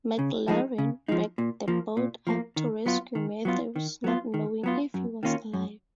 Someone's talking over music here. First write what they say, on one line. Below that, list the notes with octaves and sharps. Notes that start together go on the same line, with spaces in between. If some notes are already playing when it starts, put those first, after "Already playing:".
MacLaren backed the boat up to rescue Matthews not knowing if he was alive.
C#3
F3 G#3 D#4
C#3
F3 G#3 D#4
A#2
F3 A#3
A#2
F3 A#3
D#3
F#3 B3 F4
D#3
F#3 B3 F4
D#3
F#3 B3 F4
D#3
F#3 B3 F4
F#2
D#3 A#3 C#4 F4
F#2